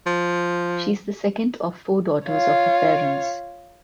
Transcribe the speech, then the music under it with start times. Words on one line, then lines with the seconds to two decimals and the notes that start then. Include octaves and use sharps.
She is the second of four daughters of her parents.
0.06 F3
2.28 F4 C#5